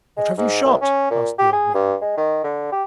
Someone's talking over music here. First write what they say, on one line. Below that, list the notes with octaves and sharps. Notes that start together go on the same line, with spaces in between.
'What have you shot?' asked the old man.
G#3
G#2
C2
C#4
A#2
G4
G#4
G2
G#3
D#3
D3
G4